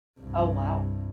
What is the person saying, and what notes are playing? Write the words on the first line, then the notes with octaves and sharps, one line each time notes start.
Oh, wow.
C2 G2